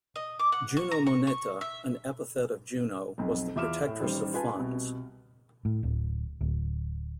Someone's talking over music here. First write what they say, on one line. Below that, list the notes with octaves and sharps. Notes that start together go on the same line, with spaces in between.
Juno Moneta, an epithet of Juno, was the protectress of funds.
D#5
D6
F#5
C#6
A#5
C#6
C#6
E5
B1 F2
E2 F4 E5 D6 F6 E7
A2
A1 D#3 G3 C5
F4 B4 G#5 A5
C2 B2
A2
D1
D1